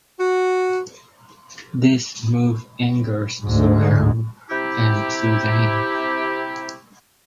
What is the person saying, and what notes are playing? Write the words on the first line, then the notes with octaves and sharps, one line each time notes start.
This move angers Soham and Suzanne.
F#4
D2 G#2
C3 E4 G4